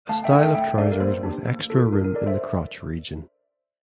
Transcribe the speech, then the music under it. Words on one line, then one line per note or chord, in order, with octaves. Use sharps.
A style of trousers with extra room in the crotch region.
A3 F5 A5
E5 G5
D4 A4
E5 G5
A3 E5 G5
D4 A4 D5 F5
A#4
A#3 C5
D4 G4
A#3
F4 A4
D4 A#4
A#4
A4 A#4 D5
C5 E5